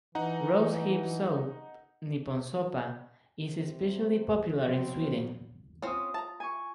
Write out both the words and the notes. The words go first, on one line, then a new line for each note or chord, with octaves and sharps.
Rose hip soup, "nyponsoppa", is especially popular in Sweden.
E3 D#4 F#5 A#5
C3
F3 F#3 B3 C4
C4 C#4 F4 D#6
A5 A#5
G#5 C#6